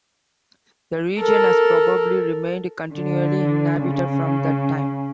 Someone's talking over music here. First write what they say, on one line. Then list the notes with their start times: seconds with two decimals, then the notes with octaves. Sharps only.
The region has probably remained continually inhabited from that time.
1.19 A4 A#4
2.94 D3
3.84 C#3